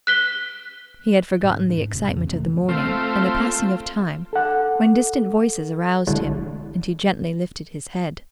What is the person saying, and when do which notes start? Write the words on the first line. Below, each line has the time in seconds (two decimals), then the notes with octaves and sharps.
He had forgotten the excitement of the morning and the passing of time when distant voices aroused him, and he gently lifted his head.
0.07 F#6 B6 G7
1.43 G#2
1.69 G#2 D4
1.92 E1 C3
2.09 A#1 F2 C#3
2.31 C3 E3 A3
2.69 A3 C4 F4
4.33 A4 F#5
6.07 B1 D3 E3 F#3 G#3 A3